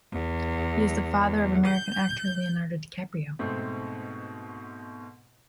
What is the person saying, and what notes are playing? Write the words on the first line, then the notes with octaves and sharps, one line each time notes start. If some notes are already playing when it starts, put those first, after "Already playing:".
He is the father of American actor Leonardo DiCaprio.
E2
G6
G#2 B2 A3 C4